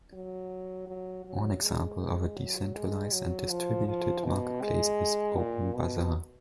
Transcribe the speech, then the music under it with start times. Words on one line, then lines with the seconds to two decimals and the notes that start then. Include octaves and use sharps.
One example of a decentralized and distributed marketplace is OpenBazaar.
0.13 F#3
0.88 F#3
1.25 F#3
1.63 G#3
2.37 F#3
2.75 G#3
3.12 F#3
3.50 F3
3.87 F3
4.24 B2
4.62 G#3
5.37 A#2
5.75 B2